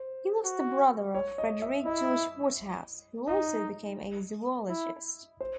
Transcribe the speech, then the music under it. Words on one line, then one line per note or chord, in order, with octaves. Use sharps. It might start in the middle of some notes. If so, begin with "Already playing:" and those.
He was the brother of Frederick George Waterhouse, who also became a zoologist.
Already playing: C5
F#4
C#5
D#5
E5
E4 D#5
D#4 D#5
E4
C5